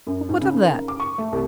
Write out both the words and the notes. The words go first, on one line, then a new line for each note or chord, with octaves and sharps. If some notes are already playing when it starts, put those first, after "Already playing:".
But what of that?
F#2
G#2
C#3
A#4
D6
C#6
A3
C2